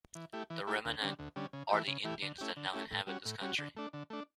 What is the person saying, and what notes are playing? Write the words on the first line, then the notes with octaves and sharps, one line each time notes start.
The remnant are the Indians that now inhabit this country.
E3
A3 E4 G4
E3
A3 E4 G4
D2
D3 G3 C#4
D2
D3 G3 C#4
C#3
E3 A3 E4 G4
C#3
E3 A3 E4 G4
D3
A3 C#4 E4 G4
D3
A3 C#4 E4 G4
A2
G3 C#4 F#4
A2
G3 C#4 F#4
D3
A3 D4
D3
A3 D4